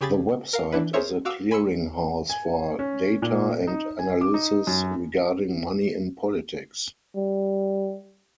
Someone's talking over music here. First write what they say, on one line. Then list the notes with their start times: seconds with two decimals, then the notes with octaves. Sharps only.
The website is a clearinghouse for data and analysis regarding money in politics.
0.01 C#3 G4 G#4 B5 G#6 A6
0.53 A#4 F5
0.72 E3 D4 E4 B4
0.93 G#4 A#4 C5 C#5 E5
1.25 F#4 F5 D6 E6
1.51 G#5 B5 C6 E6 C#7
2.30 G#5
2.79 C#4
3.22 A#2
3.67 D#4
3.99 G#5
4.21 D6
4.34 D#4
4.67 F#2
7.16 G3